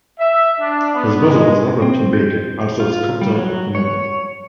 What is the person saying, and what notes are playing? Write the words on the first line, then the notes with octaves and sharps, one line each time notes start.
His brother was Robert P. Baker, also a sculptor of note.
E5
D4
B3
G#3
C4
G6
F4
G3
F#3
C#5